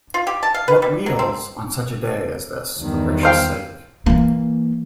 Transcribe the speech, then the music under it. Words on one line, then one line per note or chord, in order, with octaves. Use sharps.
What wheels on such a day as this, for gracious sake?
F4
G4
A5
F5
B4
G3
F#3
C4
E2 G2 D#3
C5 F5 G5
E3 A#3